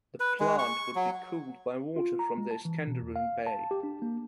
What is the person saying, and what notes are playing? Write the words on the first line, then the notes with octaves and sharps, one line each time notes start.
The plant would be cooled by water from Iskenderun Bay.
B4
G#3
C#6
F#3
F4
A#5
G#3
A5
E3
B2
E2
F5
A5
G4
D4
A#3